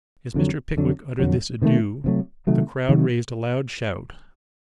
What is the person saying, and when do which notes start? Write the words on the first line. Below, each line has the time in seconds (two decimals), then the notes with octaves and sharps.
As Mr. Pickwick uttered this adieu, the crowd raised a loud shout.
0.34 F2 D3 F#3
0.77 F2 D3 F#3
1.19 F2 D3 F#3
1.62 C3 D#3 F#3 A3
2.04 C3 D#3 F#3 A3
2.47 C3 D#3 F#3 A3
2.89 C3 D#3 F#3 A3